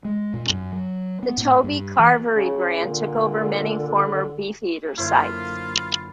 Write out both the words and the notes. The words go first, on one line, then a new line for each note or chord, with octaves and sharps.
The Toby Carvery brand took over many former Beefeater sites.
G#3
A#2
F#2
F#3
B3
A2
G2
E3
C#3
A#2 D3
F#2 D3 A#3 E4 F4 C5